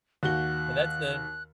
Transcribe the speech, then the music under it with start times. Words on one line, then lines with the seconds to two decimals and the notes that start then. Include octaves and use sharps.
and that's the
0.23 D#2 F#4 F#6 G7